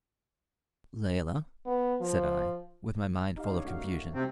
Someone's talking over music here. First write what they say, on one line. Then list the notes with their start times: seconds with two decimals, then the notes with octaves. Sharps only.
"Layelah," said I, with my mind full of confusion.
1.66 B3
2.01 F3
3.36 D#4 G4 F5
3.51 C#3 D4 C#5
3.65 A3 F#4 F5
3.78 A3 A#3
4.14 C3 C4